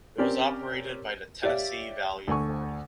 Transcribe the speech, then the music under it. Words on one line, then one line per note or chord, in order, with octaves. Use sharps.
It was operated by the Tennessee Valley Authority.
C4 C#4 G4 A#4 C5 D5
G4 C#5 D5 E5 F5
D2 A4 G#5 C#6